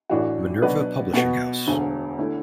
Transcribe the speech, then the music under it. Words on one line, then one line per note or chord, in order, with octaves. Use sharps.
Minerva Publishing House.
A1 A2 E3 D4 F#4
B2 F#3 D4 B4
B2 B3 F#4 B4
E1 D2 D3
D3 A3 E4